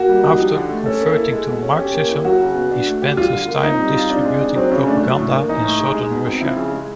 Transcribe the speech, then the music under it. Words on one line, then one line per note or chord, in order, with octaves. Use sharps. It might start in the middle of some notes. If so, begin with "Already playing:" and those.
After converting to Marxism, he spent his time distributing propaganda in southern Russia.
Already playing: A#3 F#4
G3
D#4
F3 G4
D3
A3
C#4 A4
A#3
E4
G#3
B2
C#4
C#4 G4
A#3
E4
F#3 F#4
C#3
B3
D4
A3
G4
G3 F4
D3
A#3
C4 D#4
G3
F4
C4 D4
G#3
D#4
F#3 C4
C#3 C#4
A3 D4
F#3 D4
A2
A#3
E3 D#4
A2
G#3
G#3 D#4
B2
C4
F3 E4
C#3
G#3